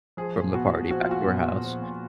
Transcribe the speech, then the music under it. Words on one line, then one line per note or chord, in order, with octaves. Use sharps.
from the party back to her house,
F3 G#4
A#2
B3 F#4
A#2
F3 F#4
F4
A#2 F#4
B3
A#2
F3
A#2